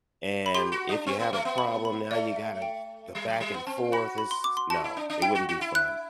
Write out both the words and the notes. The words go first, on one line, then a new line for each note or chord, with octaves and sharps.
and, if you have a problem, now you gotta the back and forth it's no, it wouldn't be fun.
B5
G4 C6
F#4
D4
C4
B3
A3
B3
B5
B5
A3 D5
E5
G5
G3
F#3
G3
B3
C4 A5
F#4 B5
B5
C6
D6
C6
F#4 A5
E4
D4
D4
E4 G5
F#4
F#4
E4
F#6